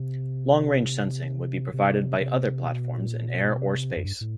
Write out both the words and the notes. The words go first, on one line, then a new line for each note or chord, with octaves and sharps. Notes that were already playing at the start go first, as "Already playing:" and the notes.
Long-range sensing would be provided by other platforms in air or space.
Already playing: C3
C3
C3
B2
A#2
B2
C3
F#2
G2
A2